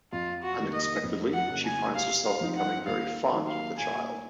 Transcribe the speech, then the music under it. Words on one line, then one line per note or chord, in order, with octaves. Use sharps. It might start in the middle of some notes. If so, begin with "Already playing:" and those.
Unexpectedly, she finds herself becoming very fond of the child.
F2 F4
F#4
C3 D#3 A#3 D#4
D#5
F2
F#5
C#3 F#3 A#3 C#4
G#5
C3 F5
F5
F3 C4 D#4
F#5
D#2 F5
D#3 F#3 A#3 D#4
F5
A#2 G#5